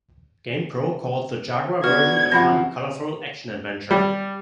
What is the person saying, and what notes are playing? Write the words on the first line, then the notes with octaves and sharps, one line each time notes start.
"GamePro" called the Jaguar version "a fun, colorful action adventure".
B3 D4 F#4 F6 G#6
F#2 C3 F3 F#5 B5 A#6
G3